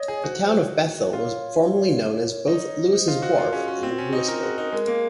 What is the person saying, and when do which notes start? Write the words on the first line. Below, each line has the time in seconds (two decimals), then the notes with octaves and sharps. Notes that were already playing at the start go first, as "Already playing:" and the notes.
The town of Bethel was formerly known as both Lewis' Wharf and Lewisville.
Already playing: C#5 D#5
0.08 G#4
0.23 F#4 C5
0.46 C5
0.58 C#5
1.13 F4 C#5
2.47 D#4
2.93 D#4 C5
3.08 F4
3.22 F#4
3.38 F4 A#4
3.53 C#4 G#4
3.68 C#4 F#4
3.83 C4
3.98 C#4
4.13 D#4
4.28 F4 A#4
4.42 F#4 G#4
4.58 D#4 A#4
4.72 G#3 A#4
4.87 A#3